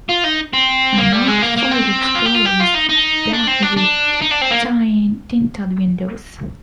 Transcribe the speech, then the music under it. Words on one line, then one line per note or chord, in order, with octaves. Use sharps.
Unmarked Ford Explorer is black with tinted windows.
F4
D#4
C4
A#3
G3
G#3
A#3
A#3
C4
F4
G4
F4
G4
F4
D#4
D#4
D4
C4
D4
D4
D#4
D4
C4
A#3